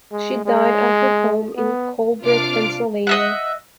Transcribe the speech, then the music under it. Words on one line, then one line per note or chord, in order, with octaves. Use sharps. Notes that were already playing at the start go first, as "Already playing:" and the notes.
She died at her home in Colebrook, Pennsylvania.
G#3
G#3
B3
C3 D4 F4 D6 F6
D#5 E5 F#5